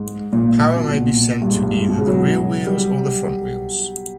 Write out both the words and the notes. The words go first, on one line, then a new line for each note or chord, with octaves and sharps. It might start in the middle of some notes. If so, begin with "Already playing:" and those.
Power may be sent to either the rear wheels or the front wheels.
Already playing: G#2
A#2
B2
A#2
G2
G#2
G2
G#2
B2
C#3
F#3
G3